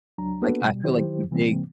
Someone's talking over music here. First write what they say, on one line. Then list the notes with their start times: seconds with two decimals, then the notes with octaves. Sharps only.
like, I feel like the big
0.18 C#2 F#3 D4 A#5
0.42 A#3 B3 D4 F#4 A4 B4
0.62 B2 G3
0.84 D#3 F#3 E4 G4 C5
1.31 C3 E3 G3 A#3 C4